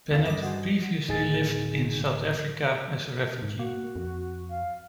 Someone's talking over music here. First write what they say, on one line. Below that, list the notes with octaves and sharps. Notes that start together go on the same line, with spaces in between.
Bennett previously lived in South Africa as a refugee.
D#2 B2 C#4 F5 A6 B6
G2 G3 D5 D#5 D6 A#6
F#4 G#4 C5
D1 D#4 G#4 A6
G#2
A#3 F#4
F2
F5